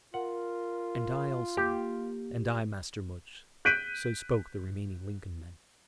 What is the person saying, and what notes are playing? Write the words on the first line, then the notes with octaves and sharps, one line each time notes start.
"And I also." "And I, Master Much"--so spoke the remaining Lincoln men.
F4 A#4 F#5
A#3 G4
F#6 G6 B6 D7 D#7